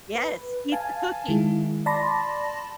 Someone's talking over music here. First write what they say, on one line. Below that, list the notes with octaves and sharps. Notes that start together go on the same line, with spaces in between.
Yes, eat the cookie.
B4
F5 G#5 A5
D#3 G#3 E4
D5 A5 B5 C6 A#6